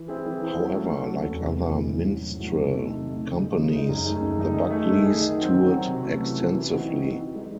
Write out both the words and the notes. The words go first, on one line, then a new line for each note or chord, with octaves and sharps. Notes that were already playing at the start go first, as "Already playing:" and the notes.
However, like other minstrel companies, the Buckleys toured extensively.
Already playing: E3
C4 E4 G#4
E3
C4 E4 G#4
F#3
A3 C#4 F#4 A4
F#3
A3 C#4 F#4 A4
E2
C3 E3 G#3
E2
C3 E3 G#3
G#2
F#3 A3 C#4 E4
G#2
F#3 A3 C#4 E4
C3
D#3 A3 D#4
C3
D#3 A3 D#4
C#3
G#3 D#4
C#3
G#3 D#4
F#2
D#3 A3 D#4 G#4
F#2
D#3 A3 D#4 G#4
D#3
A3 D#4 G#4
D#3
A3 D#4 G#4
D#3
F#3 C4
D#3
F#3 C4
C3
E3 A3 C#4 F#4
C3
E3 A3 C#4 F#4
E3
C4 D#4 F#4
E3
C4 D#4 F#4
E3
G#3 D#4